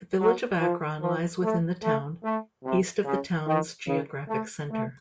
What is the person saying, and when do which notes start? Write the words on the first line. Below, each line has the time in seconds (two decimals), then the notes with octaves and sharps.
The village of Akron lies within the town, east of the town's geographic center.
0.18 F#3
0.59 F3
1.00 F3
1.41 A3
1.82 A3
2.23 A3
2.64 C3
3.04 C#3
3.45 D#3
3.86 C#3
4.27 A3
4.69 A3